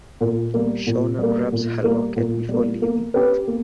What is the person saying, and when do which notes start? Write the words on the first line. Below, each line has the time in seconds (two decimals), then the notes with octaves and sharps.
Shawna grabs her locket before leaving.
0.21 A#2
0.54 G3 A#3
0.87 A#2
1.19 G3 A#3
1.52 A#2
1.84 G3 A#3
2.16 A#2
2.49 G3 A#3
2.82 A#3
3.14 C#4 G4 B4
3.47 A#3